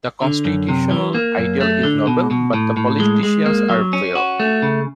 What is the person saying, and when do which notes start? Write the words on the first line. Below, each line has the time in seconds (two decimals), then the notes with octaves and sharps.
The constitutional ideal is noble; but the politicians are vile.
0.22 D3
0.45 F#2
0.69 C3
0.91 E3
1.15 A#3
1.37 F#2
1.61 A3
1.83 D3
2.07 B2
2.31 B2
2.54 A2
2.77 A2
3.00 G#3
3.23 G#3
3.46 A#3
3.69 F#3
3.93 C#4
4.15 F#4
4.40 A3
4.62 C#3